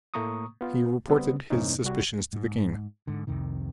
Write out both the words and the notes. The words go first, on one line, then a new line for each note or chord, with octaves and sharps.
He reported his suspicions to the king.
A2 A3 A#3 A#5 C#6 D#6
B3 F4
D3 G3 B3 C4
E2 G2 C3 A#3 C#4 D#4
C2 G3 F#4
G#2
G#2 D3
C2 F2 C3 D#3